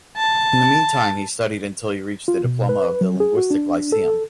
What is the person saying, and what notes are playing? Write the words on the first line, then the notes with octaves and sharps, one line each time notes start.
In the meantime he studied until he reached the diploma of the Linguistic Lyceum.
A5
F4
B2
B4
F#3
G#4
F#4
D4
A4